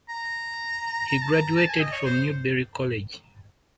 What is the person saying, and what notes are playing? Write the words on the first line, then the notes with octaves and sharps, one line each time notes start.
He graduated from Newberry College.
A#5
A#5
A5
A#5
A5
G#5
D#5
C#5
C5